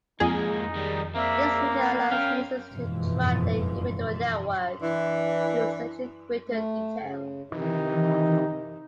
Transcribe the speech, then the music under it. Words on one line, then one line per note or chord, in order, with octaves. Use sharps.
This feature allows users to track their individual network usage in greater detail.
F2 G#2 A#3 D#4 G#4
D#3 G3
A#3 C4 D5 E5
B4
C#4 A#4 F5 G5
F#1 F2 G#2 B2 E3 F3
E3 D4
A3
C#3
C3 D#3 E3 D#4